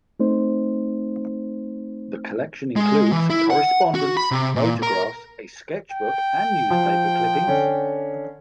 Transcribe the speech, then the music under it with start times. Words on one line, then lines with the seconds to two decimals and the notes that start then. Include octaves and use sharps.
The collection includes correspondence, photographs, a sketchbook, and newspaper clippings.
0.20 A3 C4 D#4 C5
2.76 G#3
3.12 E3
3.30 E4
3.50 F#5
3.95 F#4
4.17 B5
4.31 C3
4.56 A#2
4.83 A#4
5.91 G5
6.70 F3
7.47 D3 C#4